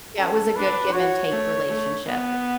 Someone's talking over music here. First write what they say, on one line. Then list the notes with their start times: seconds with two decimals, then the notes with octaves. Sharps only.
Yeah, it was a good give and take relationship.
0.18 C#4 A4
0.56 D4 B4
0.93 F#4 C#5
1.31 A3
1.68 A3
2.06 B3